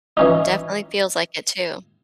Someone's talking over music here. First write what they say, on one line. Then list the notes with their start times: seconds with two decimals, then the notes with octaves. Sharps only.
Definitely feels like it too.
0.17 E3 C#4 D#4